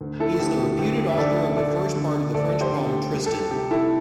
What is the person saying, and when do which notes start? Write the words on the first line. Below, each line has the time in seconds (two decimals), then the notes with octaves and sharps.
He is the reputed author of the first part of the French poem, Tristan.
0.01 D2
0.20 E4 A4
0.39 D2 G4
0.59 G4
0.79 D2 G4
1.09 E5
1.18 D2 A4 D5
1.56 D3 A4 D5
1.96 D3
2.34 D2 A4 D5
2.60 G4 C5
2.73 D2
2.86 G4
3.12 G3 G4
3.26 A4
3.32 G4
3.51 C3 G4
3.71 E4 A4